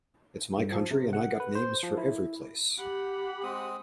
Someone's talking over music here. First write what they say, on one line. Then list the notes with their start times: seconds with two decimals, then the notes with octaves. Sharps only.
It's my country and I got names for every place.
0.58 G2
0.72 F3
0.91 C3
1.13 F#5
1.40 B4
1.55 C5
1.83 F3
1.97 E4
2.78 G4 F#5 B5
3.43 G#3 C4 D#6